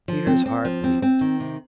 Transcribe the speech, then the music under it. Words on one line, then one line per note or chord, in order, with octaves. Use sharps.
Peter's heart leaped.
F3
C4
C4
F3
C4
C4
D#3
C3